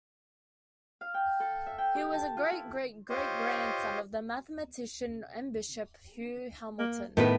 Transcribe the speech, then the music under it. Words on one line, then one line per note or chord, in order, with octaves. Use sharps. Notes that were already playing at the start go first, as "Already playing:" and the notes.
He was a great-great-great-grandson of the mathematician and bishop Hugh Hamilton.
F5
G5
A4
E5
G5
G4
A5
F4
E4
F4 G4 C5 C#5 D#5
A#3
A2 D#3 B3 B4